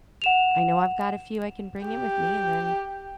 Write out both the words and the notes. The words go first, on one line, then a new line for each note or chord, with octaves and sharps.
I know I've got a few I can bring in with me, and then,
F#5 E7 F7
G4